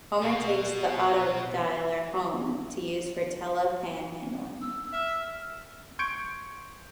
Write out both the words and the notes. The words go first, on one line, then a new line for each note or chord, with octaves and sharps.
Homer takes the autodialer home to use for tele-panhandling.
B2 F#4
E6
E5 F6
C6 C#6 G6 G#6 C#7 D7